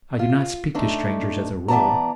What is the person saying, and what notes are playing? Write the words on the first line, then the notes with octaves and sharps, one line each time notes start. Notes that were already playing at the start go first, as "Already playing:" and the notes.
I do not speak to strangers as a rule.
F4
A3 D4 D#4
E3 B3 D5 A5 A#5